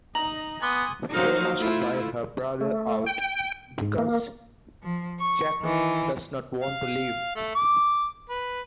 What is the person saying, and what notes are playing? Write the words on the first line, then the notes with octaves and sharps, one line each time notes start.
Fay must buy her brother out, because Jack does not want to leave.
D#4 D#5 A#5 F#7
B3 G#5 C6 D6 D#6 G7
F#3 A#3 D#4 C5 F5
A3 E4 F4
A3
G5
G#2
A#3
F3
C#6
D#3 E3
F5
A3
D6
B4